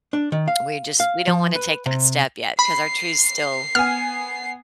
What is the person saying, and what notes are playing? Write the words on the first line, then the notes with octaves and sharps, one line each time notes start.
We just we don't wanna take that step yet, 'cause our trees still
D4
D#3
F5
F5
F3
B4
C3
B5 C7
B3 G#5 F6